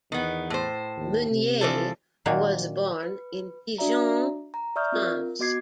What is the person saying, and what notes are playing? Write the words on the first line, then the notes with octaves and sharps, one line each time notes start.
Meunier was born in Dijon, France.
E2 D#3 B3
A2 C5
D#2
C3
E3 F3 A4
A#2 D#3 F#3 A#3
B4
D4 F#4 D5 E5 A#5
A#5
D5 E5 C#6 D#6 F6 G6
C4 F4 A#4
B3 F#4 D#5 D6 G#6 C7